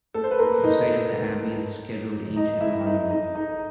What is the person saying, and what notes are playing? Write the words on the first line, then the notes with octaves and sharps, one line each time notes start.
The site of the abbey is a Scheduled Ancient Monument.
A3 A4
C5
B4
A#3 A#4
D#4 D#5
D#4 D#5
E4 E5
D#4 D#5
D#4 D#5
D#4 D#5